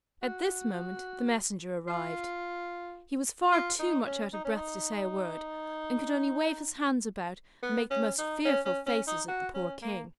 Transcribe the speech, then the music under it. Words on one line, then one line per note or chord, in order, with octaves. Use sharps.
At this moment the Messenger arrived: he was far too much out of breath to say a word, and could only wave his hands about, and make the most fearful faces at the poor King.
F#4
F4
F4
D#4
C#4
D#4
C#4
D#4
B3
C#4
D#4
C#4
C#4
C#4
D#4
F#4
C#4
A#3